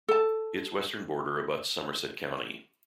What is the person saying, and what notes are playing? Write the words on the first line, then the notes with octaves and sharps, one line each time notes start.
Its western border abuts Somerset County.
A4 A5